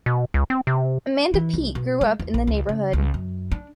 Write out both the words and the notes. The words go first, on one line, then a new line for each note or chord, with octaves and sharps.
Amanda Peet grew up in the neighborhood.
B2
C#2
C4
C3
E3
C2
B2
G#3
E2
A#1
C#2
C#3
C#2
F#2
D4